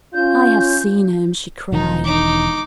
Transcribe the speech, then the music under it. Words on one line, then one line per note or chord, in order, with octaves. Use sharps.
"I have seen him!" she cried.
C#4 F4 G6
E1 D#3 D#4
D#4 D6